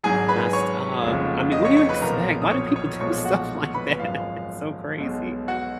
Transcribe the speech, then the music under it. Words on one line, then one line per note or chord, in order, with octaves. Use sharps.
messed up. I mean, what do you expect? Why do people do stuff like that? It's so crazy.
G#1 G#2 F#3 G#4 G#5
B4 B5
C#5 C#6
F1 D#2 C#3 F3 G#3
D#5 D#6
C#5 C#6
C#5 C#6
B4 B5
B1 A#2 F3 A#4 A#5
D#6
C#5 C#6
D#6
C#5 C#6
B1 A#2 F3 G#3 C#5 C#6
F#4 F#5
B4 B5
G#1 F#2 F3 G#3 F5
B1 B2 G#3
F#4 F#5